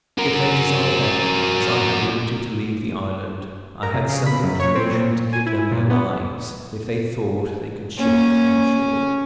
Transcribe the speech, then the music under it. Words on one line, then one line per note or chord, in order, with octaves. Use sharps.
If they desired that, as I had liberty to leave the island, I had some inclination to give them their lives, if they thought they could shift on shore.
F#4 A#4
A#4
C3
C#3
B5
F#2
C#5
C4
A#2
G#5
E4
A#2
B3
A#3 C#4